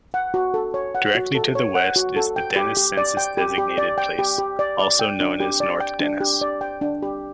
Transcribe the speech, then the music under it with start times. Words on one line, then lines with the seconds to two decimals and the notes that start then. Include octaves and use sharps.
Directly to the west is the Dennis census-designated place, also known as "North Dennis".
0.14 F#5
0.34 F#4
0.54 A4
0.74 C#5
0.95 F#5
1.15 F#4
1.35 A4
1.55 C#5
1.75 F#5
1.96 F#4
2.16 A4
2.36 G5
2.56 G4
2.77 G4
2.97 D5
3.17 G5
3.37 G4
3.58 G4
3.78 D5
3.98 G5
4.19 G4
4.38 G4
4.59 D5
4.79 D5
4.99 G5
5.20 D4
5.40 G4
5.60 D5
5.80 G5
6.00 D4
6.21 G4
6.41 D5
6.61 G5
6.81 D4
7.02 G4